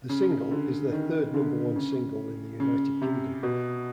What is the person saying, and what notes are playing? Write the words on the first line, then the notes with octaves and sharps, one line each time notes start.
The single is their third number one single in the United Kingdom.
C#3
D3
D#3
D3
C#3
C#3
C3
B2